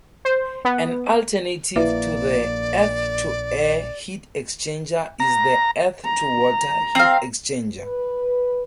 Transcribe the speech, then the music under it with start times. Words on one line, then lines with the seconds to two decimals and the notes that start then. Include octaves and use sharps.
An alternative to the earth-to-air heat exchanger is the earth-to-water heat exchanger.
0.25 C5
0.65 B3
1.76 A#1 A#3 E4 B4 D5 E5
5.20 A#5
6.05 A#5
6.95 C4 F5
7.80 B4